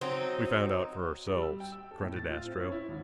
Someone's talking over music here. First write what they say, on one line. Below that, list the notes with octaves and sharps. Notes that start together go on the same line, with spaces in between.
"We found out for ourselves," grunted Astro.
F#3 C4 D#4
G3
E6
G5
E6
A4
A2
A6
F4
C4
C#4
E4
G#1